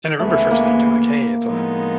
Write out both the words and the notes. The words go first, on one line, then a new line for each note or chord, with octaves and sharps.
and I remember first thinking like, "Hey, it's a"
D2 C#3 E3 G#3 A3 B3
A#3
A2 F3 G#3 B3 D#4